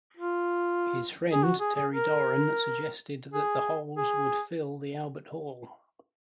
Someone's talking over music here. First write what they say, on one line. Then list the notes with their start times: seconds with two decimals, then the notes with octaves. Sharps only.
His friend Terry Doran suggested that the holes would "fill" the Albert Hall.
0.17 F4
1.32 G#4
1.44 F#4
1.60 G#4
1.75 G#4
1.92 A#4
3.34 G#4
3.97 G#4